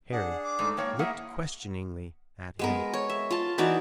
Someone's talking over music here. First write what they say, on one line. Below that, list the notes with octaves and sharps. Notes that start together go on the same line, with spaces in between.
Harry looked questioningly at him.
D4 G#4 F#5
D6
G#2 A3
G#2 A#3 C#5 G5
A#3 E4 G#4 E5 F#5
G#3 B3 A#4
C#5
E5
F4 A5
E3 D#4 F#4 D5